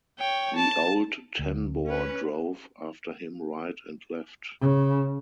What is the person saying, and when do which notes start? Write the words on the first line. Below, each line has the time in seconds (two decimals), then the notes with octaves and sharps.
The old ten-bore drove after him right and left.
0.19 C#5 G5
0.56 A5
1.39 D2
1.86 C#4 B4
4.60 C#3